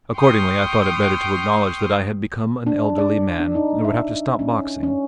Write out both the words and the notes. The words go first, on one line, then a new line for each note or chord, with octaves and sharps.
Accordingly I thought it better to acknowledge that I had become an elderly man and would have to stop boxing.
G5 C6 C#6 D#6 F6 G6
D4
D5
D4
D#4
E5
C#4
C#4